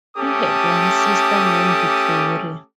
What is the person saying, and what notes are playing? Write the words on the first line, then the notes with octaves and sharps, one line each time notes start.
He had one sister named Gloria.
A3 C#4 G4 A4 D6 D#6